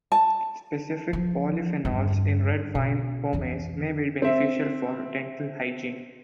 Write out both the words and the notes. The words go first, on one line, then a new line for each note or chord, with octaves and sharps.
Specific polyphenols in red wine pomace may be beneficial for dental hygiene.
A5
F3
E2 G2
B2
F2 E3
C4 E5